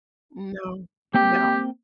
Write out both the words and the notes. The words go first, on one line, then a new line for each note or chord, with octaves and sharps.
No, no.
A#3 C4 G4 G5